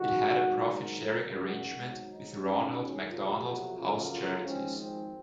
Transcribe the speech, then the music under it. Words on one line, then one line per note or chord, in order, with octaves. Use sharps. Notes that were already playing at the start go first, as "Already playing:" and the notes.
It had a profit-sharing arrangement with Ronald McDonald House Charities.
Already playing: F#2 D#3 G#3 F#4
G#1 G#2 D#3 F#3
A#4
G#1 F#2 C#3 A#4
F#4
G#1 G#2 F#3
D#4
D#2 D#3 G#3 C#4
F2 C3 F#3 A#3 F4
F#4
F2 C#3 F#3 A#3 F4
F4
G#1 G#2 F3 G#3 C4 C#4
C4